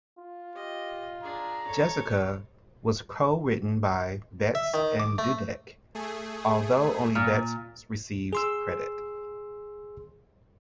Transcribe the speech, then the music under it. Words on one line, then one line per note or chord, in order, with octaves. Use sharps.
"Jessica" was co-written by Betts and Dudek, although only Betts receives credit.
F4
G4 D#5
D4 G#4 A#5
A4 C#5
E5
D#3
D6
A3
A3 G#4
A#2
G#4 C6 E6